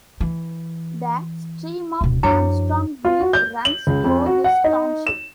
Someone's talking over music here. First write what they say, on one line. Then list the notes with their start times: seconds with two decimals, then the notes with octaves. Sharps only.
The stream of Armstrong Creek runs through this township.
0.21 E3
2.01 D1 B2
2.23 F#2 F3 D4 E4 C#5
3.05 F4
3.20 F#4
3.33 G6
3.65 F#7
3.87 C#2
4.04 F2
4.26 F#4
4.44 F#5
4.64 D#4
5.07 E7